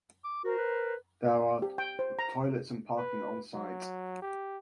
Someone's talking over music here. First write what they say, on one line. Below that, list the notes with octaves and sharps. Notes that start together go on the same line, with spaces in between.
There are toilets and parking onsite.
D6
F#4 A#4 C5
B4
G4
G5
C5
A#5
B4
F#3
G4